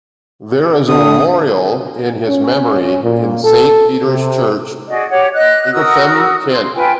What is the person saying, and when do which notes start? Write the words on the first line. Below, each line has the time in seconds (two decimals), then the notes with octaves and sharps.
There is a memorial in his memory in Saint Peter's Church, Ightham, Kent.
0.88 D3 D#6
2.28 C#4
3.03 A#2
3.44 A4
4.06 C3
4.87 F#4 G#4 D5 D#5
5.10 G4 C#5 F#5
5.33 D#5 F#6
5.72 F#4 A#4 D#6 E6
6.50 C6
6.75 F4 B4 G5 G#5